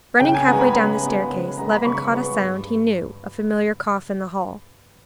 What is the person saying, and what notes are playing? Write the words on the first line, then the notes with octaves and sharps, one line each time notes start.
Running halfway down the staircase, Levin caught a sound he knew, a familiar cough in the hall.
C#3 G5
G#5
G#3 B3 A#5
B5
C#3
G#3 B3
C#3
G#3 B3 A#5
B5
C#3 C#6
G#3 B3
G2